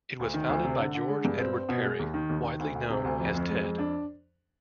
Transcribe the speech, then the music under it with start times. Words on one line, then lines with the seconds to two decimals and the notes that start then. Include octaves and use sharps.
It was founded by George Edward Perry, widely known as "Ted".
0.19 D2
0.34 D#3
0.49 D2
0.64 C3
0.79 D3
0.95 D3
1.09 G#3
1.25 G2
1.39 C4
1.54 C4
1.69 B2
1.84 G#3
1.99 D#2
2.14 D#3
2.29 D#2
2.44 D#3
2.59 D2
2.74 D2
2.90 C3
3.04 D2
3.19 F2
3.34 F2
3.49 G#3
3.64 F2
3.78 D4